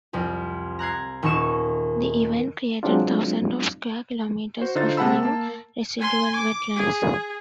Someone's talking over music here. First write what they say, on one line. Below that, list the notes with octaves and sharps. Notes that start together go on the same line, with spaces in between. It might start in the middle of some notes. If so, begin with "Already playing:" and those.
The event created thousands of square kilometres of new residual wetlands.
C2 F2
A#5 F#6 G#6 C7
D#1 D#2 D#4 C#6 E7
F#3 G#3 C4 D4 D#4 F4
F#4 C5
D3 D#4 F4 C5 A6
C3 G#3 F#5 A5 B5 E6
A#3 A5
G#5 C6
D6
G#4